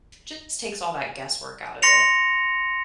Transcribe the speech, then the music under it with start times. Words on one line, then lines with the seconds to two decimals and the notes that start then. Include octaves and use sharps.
Just takes all that guesswork out of it.
1.82 C6 A#6 C#7 F7